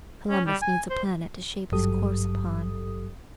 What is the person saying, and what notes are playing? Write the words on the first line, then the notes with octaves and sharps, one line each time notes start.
Columbus needs a planet to shape his course upon.
C#4
G3
G#5
C5
G#1 G2 F#3 G4 A4 D#6